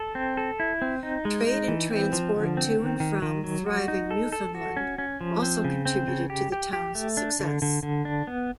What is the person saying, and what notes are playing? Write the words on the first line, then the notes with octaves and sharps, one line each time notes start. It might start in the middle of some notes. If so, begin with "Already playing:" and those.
Trade and transport to and from thriving Newfoundland also contributed to the town's success.
Already playing: A4
C4
A4
E4
C4
D#4
G#3
D#4
E3
C4
F3
D3
C4
D#3
D#3
D#3
F#3
F#4
D#4
A4
A4
F#4
C#4
C#4
F3
C4
C#3
C4
C#3
G4
G4
G4
A3
D4
D3
D3
D3
D4
B3